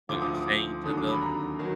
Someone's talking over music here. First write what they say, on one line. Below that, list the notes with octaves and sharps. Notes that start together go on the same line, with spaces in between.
what you're saying to them.
D2 D3 F3 D6
D#6
D6
D#2 D3 F#3 D#6
D6
B5
A#5
D#3 F#3